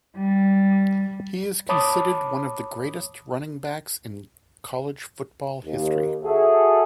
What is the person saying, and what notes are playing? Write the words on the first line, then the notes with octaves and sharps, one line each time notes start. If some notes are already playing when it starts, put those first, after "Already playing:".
He is considered one of the greatest running backs in college football history.
G3
C#5 A5 B5 D6 D#6
D#2
F#4 G#4 A4 E5